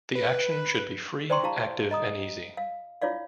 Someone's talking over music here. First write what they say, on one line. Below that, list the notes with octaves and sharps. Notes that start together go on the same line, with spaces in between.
The action should be free, active and easy.
B4
C5 D5 G5 A#5 C6 C#6
E4 G4 F5 A5 A#5 C#6
D#5 A#5 D#6
F5
E4 F4 C#5 D5 F5